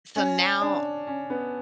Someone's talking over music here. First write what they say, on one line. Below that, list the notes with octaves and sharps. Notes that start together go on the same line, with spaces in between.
So now
C#4
D4
C#4
B3